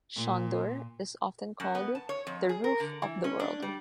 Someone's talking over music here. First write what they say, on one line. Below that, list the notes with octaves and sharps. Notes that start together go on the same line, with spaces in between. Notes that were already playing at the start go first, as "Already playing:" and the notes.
Shandur is often called the 'Roof of the World'.
A#2
F#2
B3
A5
C#5
F2
G#4
A#4
D3
E3
C#4
D4
G3